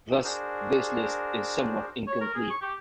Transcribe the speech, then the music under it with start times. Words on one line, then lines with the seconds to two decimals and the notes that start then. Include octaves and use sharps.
Thus this list is somewhat incomplete.
0.24 D4 F#4 G#4 A#4 C5
2.07 C#5
2.21 A#4
2.35 G#4
2.50 C#6
2.61 G4